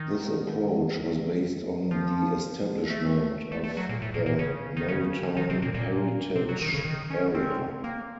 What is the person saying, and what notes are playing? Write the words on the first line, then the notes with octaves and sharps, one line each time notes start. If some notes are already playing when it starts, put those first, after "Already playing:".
This approach was based on the establishment of the Maritime Heritage Area.
Already playing: D#3
F3
A3
A3
A3
F#3
A#2
A2
A#2
A#2
C#3
D#3
C#3
D#3
C3
A#2
A#2
C3
F#3
D#3
C#3
D#3
C#4
C4
A#3